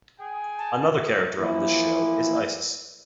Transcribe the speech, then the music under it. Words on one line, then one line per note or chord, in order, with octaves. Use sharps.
Another character on this show is Isis.
G#4 G5 G#5
A5
E3 F3 A#3 E4